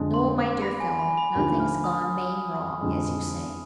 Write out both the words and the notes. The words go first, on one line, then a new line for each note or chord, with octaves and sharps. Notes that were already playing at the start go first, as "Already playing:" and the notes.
No, my dear fellow, nothing's gone main wrong, as you say.
Already playing: F2 D3 G#3
C6
D6
B5
G#5
B5
B5
D#2 D3 F3 B5
F6
D#6
F2 D3 G#3